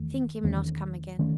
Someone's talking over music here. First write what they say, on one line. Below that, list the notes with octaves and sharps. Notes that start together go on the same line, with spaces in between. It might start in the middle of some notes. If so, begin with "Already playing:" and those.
Think him not come again.
Already playing: E2 D#3 A3
E2 D#3 A3 C#4
D#3 A3 C#4